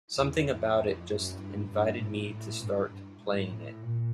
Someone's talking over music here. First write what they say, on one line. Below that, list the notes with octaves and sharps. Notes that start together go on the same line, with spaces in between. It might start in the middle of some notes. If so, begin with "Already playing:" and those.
Something about it just invited me to start playing it.
E2
F2
F2
F#2
G2
G2
A2
A2
G2
G2
G#2
A2
A#2